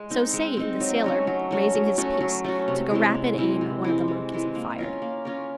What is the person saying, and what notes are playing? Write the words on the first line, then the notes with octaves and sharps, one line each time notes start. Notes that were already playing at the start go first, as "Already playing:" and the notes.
So saying, the sailor, raising his piece, took a rapid aim at one of the monkeys and fired.
Already playing: G#3
C4 D#4
G#3
C4 D#4
F#3
A3 C#4 F#4
F#3
A3 C#4 F#4
F#3
A3 C#4 F#4
F#3
A3 C#4 F#4
C3
E3 G#3 C4
C3
E3 G#3 C4
C3
E3 G#3 C4
C3
E3 G#3 C4
A#3
C#4 F4 A#4
A#3
C#4 F4 A#4